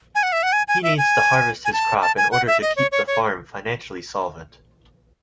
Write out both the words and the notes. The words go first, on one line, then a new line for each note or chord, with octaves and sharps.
He needs to harvest his crop in order to keep the farm financially solvent.
G#5
F#5
E5
F#5
G#5
G#5
E5
G#5
G#5
A5
A5
G#5
F#5
E5
D#5
C#5
C#5
C#5